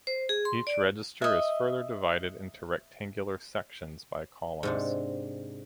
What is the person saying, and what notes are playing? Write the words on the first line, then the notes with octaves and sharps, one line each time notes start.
Each register is further divided into rectangular sections by columns.
C5
G#4
C6
D5
D#5 E5
G#2 C3 D4